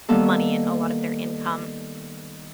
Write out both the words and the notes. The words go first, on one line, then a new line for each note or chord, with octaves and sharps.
money and a lot of their income.
D#3 G3 A#3 B3 A4